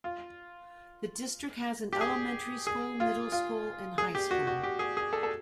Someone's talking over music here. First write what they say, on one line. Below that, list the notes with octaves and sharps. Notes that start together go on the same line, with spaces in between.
The district has an elementary school, middle school and high school.
F4
G4
G#4
G#4
F4
F4
G#4
G4
F#4
F#4
G4
G#4
G#4
A4
A4